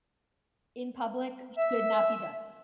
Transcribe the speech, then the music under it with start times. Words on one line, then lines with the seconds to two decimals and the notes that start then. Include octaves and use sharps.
in public should not be done.
1.57 E5